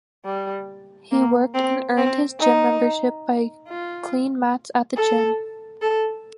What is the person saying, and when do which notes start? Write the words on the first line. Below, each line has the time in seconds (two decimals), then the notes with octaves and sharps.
He worked and earned his gym membership by clean mats at the gym.
0.25 G3
1.11 A#3
1.54 C4
1.97 C4
2.39 D#4
3.69 F4
4.96 A4
5.82 A4